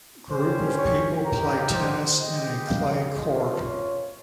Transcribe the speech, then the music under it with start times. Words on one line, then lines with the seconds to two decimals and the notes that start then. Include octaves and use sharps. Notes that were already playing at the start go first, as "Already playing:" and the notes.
Group of people play tennis in a clay court.
0.30 G3 C#4 G4 C5
0.77 C#5
1.25 A#3 D#4 G4 A#4
1.74 C5
2.21 G#3 D#4 G4 D#5
2.69 F5
3.16 A#3 C#4 F4 D#5
3.65 C#5